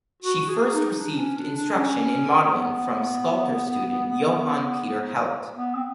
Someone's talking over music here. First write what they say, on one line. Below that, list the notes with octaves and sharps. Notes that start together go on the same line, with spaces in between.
She first received instruction in modeling from sculptor student Johan Peter Heldt.
F#4
G#4
D#4
D4
C#4
D4
D4
C#4
B3
B3
C4